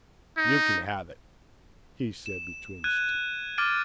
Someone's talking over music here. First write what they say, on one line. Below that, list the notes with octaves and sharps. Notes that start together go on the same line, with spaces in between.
"You can have it," he said between his teeth.
D#4
E7
F#6 G#6 D#7
D6 F6 G#6 A6 D7 D#7